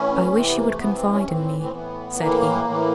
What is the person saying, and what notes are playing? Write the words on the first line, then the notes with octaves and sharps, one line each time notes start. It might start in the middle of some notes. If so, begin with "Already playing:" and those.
"I wish you would confide in me," said he.
Already playing: A2 E3 C#4
C3 E3 C4
B3
A#3
A3
C3 E3 B3
C4
C#4
A2 E3 C4
C4
A2 E3 B3
A2 E3 A#3
A2
E3